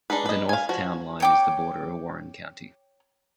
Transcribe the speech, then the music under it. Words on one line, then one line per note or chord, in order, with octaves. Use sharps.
The north town line is the border of Warren County.
D4 D#4 G#4 B4
B4 D#5
F5 G#5
F3 F#4
C#5 G5 D6